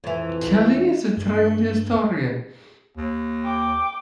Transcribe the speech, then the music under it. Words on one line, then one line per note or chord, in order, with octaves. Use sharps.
Kelly is a trained historian.
F2 E3
G2
D#2
G5 D6